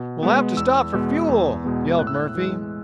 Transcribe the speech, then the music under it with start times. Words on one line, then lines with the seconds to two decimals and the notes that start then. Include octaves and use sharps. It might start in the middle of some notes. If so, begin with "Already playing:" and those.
"We'll have to stop for fuel," yelled Murphy.
Already playing: B2
0.23 G#3 B3
0.57 E2 E6
0.93 B2 G#3 B3
1.28 E2
1.64 B2 G#3 B3
1.99 A2 F#6
2.07 E6
2.14 F#6
2.35 E3 G#3